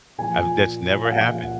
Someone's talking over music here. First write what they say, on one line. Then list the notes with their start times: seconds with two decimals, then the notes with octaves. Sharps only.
I've That's never happened.
0.18 A#2 F3 G#5
1.05 F5
1.11 A#2 F3 F#5